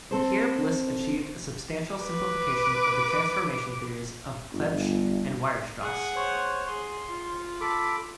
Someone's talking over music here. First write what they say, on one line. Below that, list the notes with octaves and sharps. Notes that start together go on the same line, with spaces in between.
Here Bliss achieved a substantial simplification of the transformation theories of Clebsch and Weierstrass.
C4 A4 C5
B4 D6
G1
G#4 F#5
C5 C#5
G#4 C6
F4
A4 B5 D6